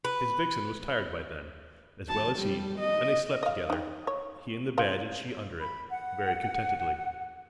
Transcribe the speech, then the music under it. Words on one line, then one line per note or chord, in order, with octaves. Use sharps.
His vixen was tired by then, as well as he, and they slept together, he in the bed and she under it, very contentedly.
B4
A5
G3
D#5
D#5 F5
D#4 G5
C#5
C#3 F4
B5
F#5